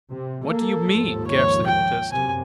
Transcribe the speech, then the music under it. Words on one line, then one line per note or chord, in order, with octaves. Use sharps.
"What do you mean?" gasped the hypnotist.
C3
A#3 A4
D#2 G#2 F3
C#5
G5
F#2 C3 G#5